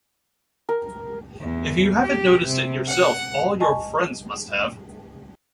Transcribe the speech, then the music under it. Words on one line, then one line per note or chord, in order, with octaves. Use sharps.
If you haven't noticed it yourself all your friends must have.
A#4
E2
G4
C3
F#5
D#5 G#5 A5 C#6